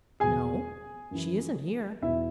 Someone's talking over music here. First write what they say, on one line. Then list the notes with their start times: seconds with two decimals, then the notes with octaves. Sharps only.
"No; she isn't here."
0.20 E2 B2 G#4 G#5
1.11 F#2 E3
2.02 E2 B2 E4 E5